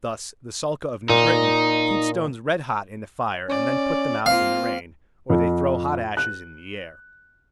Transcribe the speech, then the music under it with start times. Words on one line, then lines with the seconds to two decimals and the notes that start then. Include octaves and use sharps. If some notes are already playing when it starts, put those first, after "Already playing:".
Thus the Sulka of New Britain heat stones red hot in the fire and then put them out in the rain, or they throw hot ashes in the air.
1.10 A#2 D#4
3.49 C#4 D5
4.26 A#3 C4 F4 F5
5.30 F2
6.17 F#6